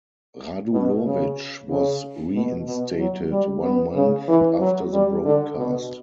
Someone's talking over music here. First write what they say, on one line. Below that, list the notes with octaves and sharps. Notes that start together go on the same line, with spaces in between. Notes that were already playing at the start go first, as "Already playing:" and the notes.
Radulovich was reinstated one month after the broadcast.
B2
C#3
C#3
B2
B2
F#3
G3
B3
C#3
E3
F#3
G3
D3
B2